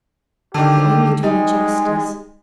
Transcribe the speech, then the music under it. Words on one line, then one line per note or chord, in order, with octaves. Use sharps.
'You only do me justice.
D3 D#3 G4
G3 G#3 D#4